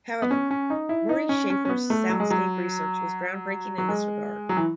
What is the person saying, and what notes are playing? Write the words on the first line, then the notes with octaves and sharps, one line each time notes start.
However, Murray Schafer's soundscape research was groundbreaking in this regard.
B3
C#4
C#4
D#4
E4
D#4
C#4
C#4
C#4
B3
A3
F#3
G#3
F#3
F#3
G#3
F#3
E3